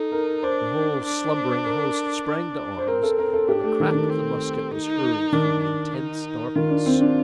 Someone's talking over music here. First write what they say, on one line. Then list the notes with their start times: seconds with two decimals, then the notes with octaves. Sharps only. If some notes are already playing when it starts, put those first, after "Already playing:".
The whole slumbering host sprang to arms, and the crack of the musket was heard through the intense darkness.
Already playing: D#4 A4
0.12 A#4
0.43 D4 C5
1.04 D4
1.66 A#4
2.27 D4
2.78 C5
2.87 C4 A#4
3.03 A4
3.18 A#4
3.33 A4
3.49 D4 G4
3.64 A3
3.80 D#3
3.95 D#3
4.10 C4
4.72 D#4
5.32 D#3 D4
5.63 D4
5.94 D#4
6.55 D#3 F4
6.70 D4
6.86 C4
7.01 D4